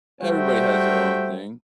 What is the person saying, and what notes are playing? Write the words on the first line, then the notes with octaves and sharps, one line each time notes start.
everybody has their own thing.
G3 A3 F#4 C5 E5 G5